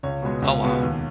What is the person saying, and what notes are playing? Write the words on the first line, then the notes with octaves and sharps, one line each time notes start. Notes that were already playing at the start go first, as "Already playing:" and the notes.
Oh, wow.
C#2 C#5
B2 G#3 B3
C#2
B2 G#3 B3
D#2